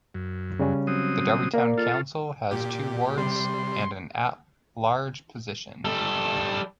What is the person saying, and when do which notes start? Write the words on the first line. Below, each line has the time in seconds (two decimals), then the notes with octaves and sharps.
The Darby Town Council has two wards and an at-large position.
0.14 F#2
0.59 C#3 G3 C#4
0.87 F#3 C4 D#6
1.54 A#3 A#4 D5
1.78 F4 A4
2.51 A#2 G4
3.17 C3 G3 C6
5.85 G3 A4